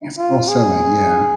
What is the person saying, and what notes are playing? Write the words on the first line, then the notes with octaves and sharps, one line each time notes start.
It's for selling, yeah.
F4
G#4